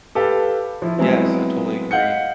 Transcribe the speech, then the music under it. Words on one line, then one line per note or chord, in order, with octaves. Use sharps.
Yes, I totally agree.
G4 A4 B4 F5 A5
F3 E4
F#3 G#3 B3 C4 E4
D#5 F5 F#5 G6 C#7